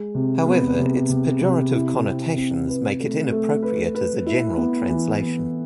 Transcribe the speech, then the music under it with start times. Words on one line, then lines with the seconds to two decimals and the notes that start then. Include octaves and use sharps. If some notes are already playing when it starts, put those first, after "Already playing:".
However, its pejorative connotations make it inappropriate as a general translation.
Already playing: G#3
0.15 C3
0.46 B3
0.78 C3
1.10 C3
1.41 C3
1.74 E4
2.04 C4
2.37 C4
2.68 B4
3.00 A3
3.32 A3
3.63 B4
3.95 B4
4.26 E4
4.57 B3
4.90 E3
5.21 B3